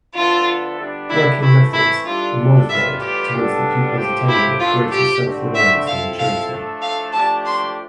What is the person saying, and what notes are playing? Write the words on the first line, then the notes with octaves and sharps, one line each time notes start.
Working methods are modified towards the pupil's attainment of greater self-reliance and maturity.
D3 F3 B3 E4 F4 A4
D3 G3 B3 D4
E4
E3 A3 C4 E4
E4
G3 D4 F4 A4
A2 E3 G3 B3 F4 E5
G4
A2 G3 B3 D4 A4
A2 F3 C4 G4
E4
F3 A3 D4 F4 A4
G4
D3 A3 C4
E5
F3 C4 E4 A4 F5
F5
A2 F3 A3 D4 A4
F5
F3 A3 D4 G4 A5
C6